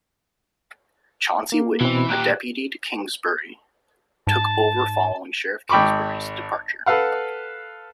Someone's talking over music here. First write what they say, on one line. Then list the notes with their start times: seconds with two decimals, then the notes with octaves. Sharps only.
Chauncey Whitney, a deputy to Kingsbury, took over following Sheriff Kingsbury's departure.
1.52 A#3
1.81 B2 E3 C4
2.10 A#2 G4 F#6
4.27 G#2 A5
5.69 G#1 G5 B5 C#6 D6
6.86 A4 B4 F5 F#5